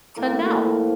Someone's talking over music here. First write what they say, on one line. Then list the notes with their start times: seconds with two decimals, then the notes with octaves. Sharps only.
to know?
0.16 A2 A#3
0.40 A2
0.64 F3